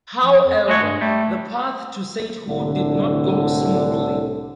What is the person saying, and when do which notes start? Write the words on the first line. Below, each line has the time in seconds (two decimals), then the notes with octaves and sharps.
However, the path to sainthood did not go smoothly.
0.23 F3
0.44 F2
0.68 G#3 A3 F#4 C#5
0.81 G2 G#3
1.01 G3 A3
2.47 C2 A2 D3